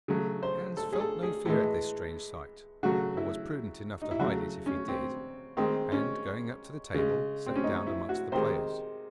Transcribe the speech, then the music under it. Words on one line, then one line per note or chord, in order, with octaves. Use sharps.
Hans felt no fear at this strange sight, or was prudent enough to hide it if he did, and, going up to the table, sat down amongst the players.
C#3 F#3 A3
C5
A4
G#4
A4
G#4
A2 E3 G#3
C#3 F#3 A3 F#4
E4
D#4
E4
C#3 F#3 A3 F#4
C#4
C4
D#3 G#3 C4
C#4
C#3 G#3
C4
C#4
D#4
E4
F#4
C3 D#3 G#3 C5